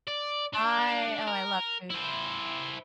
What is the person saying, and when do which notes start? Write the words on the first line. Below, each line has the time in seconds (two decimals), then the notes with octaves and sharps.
I Oh, I love food.
0.07 D5
0.53 D4
1.27 A#4
1.91 E4 C5